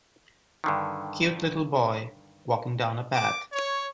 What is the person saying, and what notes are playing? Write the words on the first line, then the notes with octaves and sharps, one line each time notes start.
Cute little boy walking down a path.
G2 D3 D#3
D6
C#5